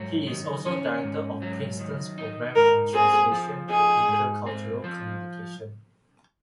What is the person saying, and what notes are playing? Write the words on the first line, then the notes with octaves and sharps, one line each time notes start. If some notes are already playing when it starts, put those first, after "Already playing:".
He is also director of Princeton's Program in Translation and Intercultural Communication.
Already playing: G#2 F#3
D#3
C#4
G#2
F#3
D#3
D#4
G#2 A#4
C4 G#4
F3
D#4 G#4
G#2
C4
F3